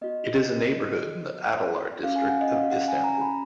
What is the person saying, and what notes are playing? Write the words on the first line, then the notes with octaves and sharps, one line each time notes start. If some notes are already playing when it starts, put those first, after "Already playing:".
It is a neighbourhood in the Adalar district of Istanbul.
B3 F#4 D#5
C#4 F#4 F5
G#5
F#5
D#5
F5
F#5
G#5
A#5
B5